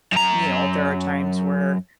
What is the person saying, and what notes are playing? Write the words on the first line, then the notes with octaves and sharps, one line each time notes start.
you know, there are times where,
F#2 A#5